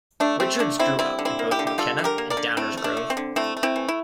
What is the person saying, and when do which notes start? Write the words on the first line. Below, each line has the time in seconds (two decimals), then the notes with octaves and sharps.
Richards grew up in both Mokena and Downers Grove.
0.20 A3 D4
0.40 A3 C4
0.59 D3 D4
0.79 D3 C4 E4
0.99 G3 C4 E4
1.19 D3
1.25 C4 E4
1.39 A#3
1.51 E4 G4
1.59 D3
1.67 G4
1.78 G3 F4 A4
1.99 D3
2.04 G4 A#4
2.18 A#3
2.30 A#4 D5
2.37 D3
2.57 A3 C4 E4
2.77 A3
2.84 D4
2.97 D3
3.10 C4
3.17 D3
3.36 A3 C4 E4
3.57 A3
3.63 C4 E4
3.76 E3
3.88 E4